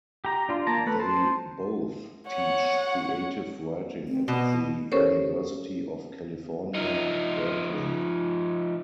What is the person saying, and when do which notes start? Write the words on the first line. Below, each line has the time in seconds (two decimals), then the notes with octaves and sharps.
They both teach creative writing at the University of California, Berkeley.
0.25 G4 A#5
0.49 D4 F4
0.67 A#3 A5 A#5
0.86 A3 B4
1.00 C5 A5
2.28 C#5 F#5
4.09 C4
4.28 B2 B3
4.92 C#4 G4 A4 A#4 C5 C#5
6.75 F3 D#4